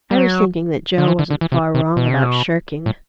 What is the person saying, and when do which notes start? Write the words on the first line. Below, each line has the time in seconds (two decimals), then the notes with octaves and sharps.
I was thinking that Jo wasn't far wrong about shirking.
0.11 G3
0.18 F#3
0.98 D3
1.08 E3
1.19 D3
1.30 D3
1.41 E3
1.52 C3
1.75 C3
1.97 B2
2.11 C3
2.24 B2
2.86 A2